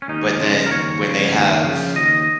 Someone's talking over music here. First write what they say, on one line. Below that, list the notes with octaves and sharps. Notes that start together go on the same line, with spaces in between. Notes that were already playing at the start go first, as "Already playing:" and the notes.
but then, when they have
C#4
D#2 D#4
C#3 F3
A#4
D#2 C#5
C#3 F3
D#2
C#3 F3
D#2 D#5